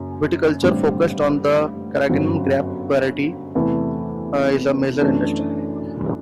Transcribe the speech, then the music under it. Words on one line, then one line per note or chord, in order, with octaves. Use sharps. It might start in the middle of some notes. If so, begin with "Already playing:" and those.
Viticulture, focussed on the Carignan grape variety, is a major industry.
Already playing: F#1 F#2
A1 G2 D3 G3 C4
G1 F#2 F#3 C4 F#4
E2 C3 E3 A3 E4
F#2 E3 A3 D4